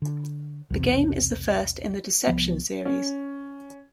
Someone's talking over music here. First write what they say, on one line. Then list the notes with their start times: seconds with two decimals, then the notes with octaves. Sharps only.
The game is the first in the "Deception" series.
0.02 D3
0.70 B1 E2 C3
2.27 C2 F3 B3
2.85 C#4